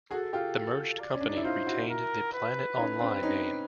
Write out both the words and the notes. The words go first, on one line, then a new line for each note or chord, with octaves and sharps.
The merged company retained the Planet Online name.
F#4 G#4 A4
F4 G4
A4
D5
C#4
D4
D#4
E4
D#4 F4 C5
E4 F#4
A#4
B4
C#4 D#4
C4 D4
C#4 D#4